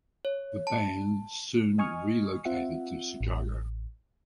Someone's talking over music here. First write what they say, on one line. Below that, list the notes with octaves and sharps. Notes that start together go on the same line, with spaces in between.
The band soon relocated to Chicago.
C#5
A5
D#5 G#5 C#6 D#6 F6
C4 F4 E5 F#5
A1